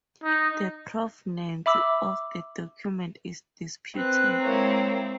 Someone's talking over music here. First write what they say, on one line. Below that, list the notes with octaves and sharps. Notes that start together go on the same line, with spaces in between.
The provenance of the document is disputed.
D#4
E5 B5 D6 E6
C4 B4 F#6
G#3 A#3 E4 C#5 A#5